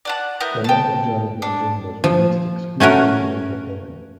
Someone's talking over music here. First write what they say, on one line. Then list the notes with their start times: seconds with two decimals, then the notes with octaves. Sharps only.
The Mega Drive version was released exclusively in Japan.
0.05 D5 F#5 A5
0.40 B3 E4 A#4 G6
0.64 G5 A5
1.42 D4
2.04 F3
2.80 A3 C#4 F#4 A#4